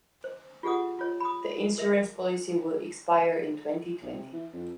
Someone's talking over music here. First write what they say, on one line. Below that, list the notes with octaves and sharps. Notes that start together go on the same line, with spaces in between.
The insurance policy will expire in twenty-twenty.
C5
F4 G4 G#4 F#5 D#6
F4 C#5
B5 D#6
A#4 E5
B1
C3
E3
F2